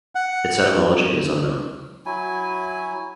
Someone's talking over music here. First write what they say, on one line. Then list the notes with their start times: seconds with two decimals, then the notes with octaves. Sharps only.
Its etymology is unknown.
0.15 F#5
2.06 F#3 E4 G#5